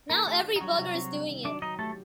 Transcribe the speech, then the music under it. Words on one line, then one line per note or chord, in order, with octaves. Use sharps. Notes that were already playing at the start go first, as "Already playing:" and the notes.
Now every bugger's doing it.
D#3 A#3 A#4
A3 G4 A4
D4
D#4
F#3 G3 F#4
C3
C4
G3
D#3
F#3 D4 D5
F#3 D#4 D#5
A3 G4 A4